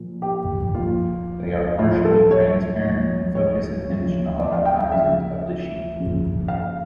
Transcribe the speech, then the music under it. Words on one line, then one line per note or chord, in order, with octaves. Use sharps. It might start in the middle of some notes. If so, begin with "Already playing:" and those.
They are partially transparent and focus attention on the content of the sheet.
Already playing: A#2 F3
G4
A#2 F3 F4
A2 F3 F4
A4
C#5
A#2 F3
C#5
C#3 F3
D5
F5
G5
F5
C#3 F3 E5
C#3 F3
F5